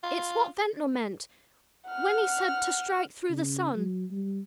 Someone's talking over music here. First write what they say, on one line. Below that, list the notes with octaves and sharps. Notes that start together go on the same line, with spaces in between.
It's what Ventnor meant when he said to strike through the sun.
F4
F#5 F6
C#3
F#3
G3